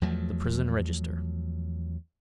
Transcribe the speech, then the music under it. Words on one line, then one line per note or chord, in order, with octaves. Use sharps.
The Prison Register.
E2 F3 F#3 A3